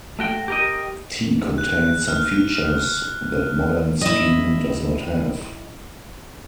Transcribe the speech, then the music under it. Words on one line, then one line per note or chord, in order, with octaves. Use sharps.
T contains some features that modern Scheme does not have.
A3 F#4 G5
G4 A#4 D#5
F#6
F6
E4 D#5